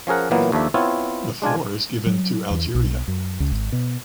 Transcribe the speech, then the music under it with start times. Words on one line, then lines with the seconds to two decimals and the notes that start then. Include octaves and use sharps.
The floor is given to Algeria.
0.07 F3 C#4 G#4 A#4 F#5
0.31 A#2 E3 F#3 A#3 B3
0.52 D#2 F3 D4 A4 E5
0.74 B3 C4 E4 F4 C#5
1.42 G#3 D4 F4 G#5
2.06 F#3
2.50 E2
2.75 B1
3.08 F#2
3.40 C#2
3.52 G#1
3.72 B2